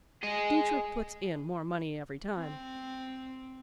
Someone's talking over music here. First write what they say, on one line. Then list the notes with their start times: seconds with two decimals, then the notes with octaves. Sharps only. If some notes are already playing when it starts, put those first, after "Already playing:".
Dietrich puts in more money every time.
0.23 G#4 D#5
2.36 C4